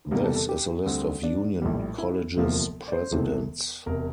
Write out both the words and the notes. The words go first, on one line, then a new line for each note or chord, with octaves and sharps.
This is a list of Union College's presidents.
E2 C3 G3 A#3 A#4
A4
A4
G4
D2 D3 G3 C4
D4
A#1 A2 G3
E4
E1 D2 C3 F3 A#3
D5
C5
E1 E2 C3 E3 A3
E1 C3 A#4